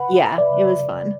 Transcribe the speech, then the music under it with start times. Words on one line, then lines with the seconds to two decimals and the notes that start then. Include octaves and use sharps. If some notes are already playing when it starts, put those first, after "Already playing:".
yeah, it was fun.
Already playing: B4 F#5 B5
0.37 B4 D5 E5 B5